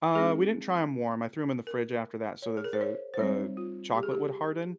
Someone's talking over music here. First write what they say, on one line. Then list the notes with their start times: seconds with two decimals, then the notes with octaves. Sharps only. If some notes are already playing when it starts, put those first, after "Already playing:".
Uh, we didn't try 'em warm, I threw them in the fridge after that so that the the chocolate would harden.
0.15 G#3 C4 D#4 G#4
1.67 A#4
2.42 C#5
2.57 G#4
2.64 A#4
2.73 C5
2.81 C#5
3.14 C5
3.19 G3 C4 D#4 C#5
3.57 F4
3.95 G4
4.03 G#4
4.11 G4